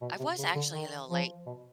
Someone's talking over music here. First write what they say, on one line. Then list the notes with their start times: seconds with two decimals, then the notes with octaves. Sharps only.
I was actually a little late
0.01 B2
0.19 C3
0.38 C#3
0.55 D3
0.73 D#3
1.10 F3
1.46 B2